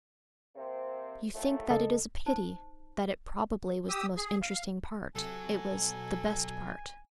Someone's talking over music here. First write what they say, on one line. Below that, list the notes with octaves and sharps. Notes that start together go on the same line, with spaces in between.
You think that it is a pity, that it probably was the most interesting part, it was "the best part."
C3 A#3 C4
D#2 A2 A3
C#2 A4 D#5
D#4 C5 A5
G4 D#6 E6
G#4
F5
C3 F#3 A4 G#5
B2